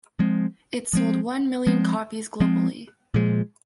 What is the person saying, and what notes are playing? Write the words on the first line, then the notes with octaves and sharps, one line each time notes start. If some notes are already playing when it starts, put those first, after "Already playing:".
It sold one million copies globally.
F3 G#3 C4
F3 G#3 C4
F3 G#3 C4
F3 G#3 C4
A#2 F3 G#3